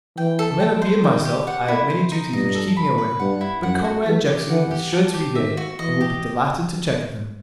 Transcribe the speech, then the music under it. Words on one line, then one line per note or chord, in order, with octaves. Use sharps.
I may not be in myself--I have many duties which keep me away--but Comrade Jackson is sure to be there, and will be delighted to chat with him.'
E3 G5
A4
G5
C5
D#3 G5
G4
F#5
E4
C5
D#4
G2 D#5
A4
B5
B4
G2 F#5
E4
F#2 F#5
F#4
E3 E5
G4
E3 F#5
G4
A5
G4
D#3 E5
F#4
E3 D#5
G4